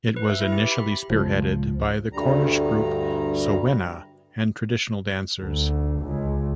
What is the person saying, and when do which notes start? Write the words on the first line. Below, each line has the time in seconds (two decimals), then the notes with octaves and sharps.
It was initially spearheaded by the Cornish group Sowena, and traditional dancers.
0.16 B4
0.29 E5
0.41 E4
0.52 G4
0.72 B5
1.10 C#2 F3
2.13 D2 G2 G3 A#5
5.41 D2
6.01 C#2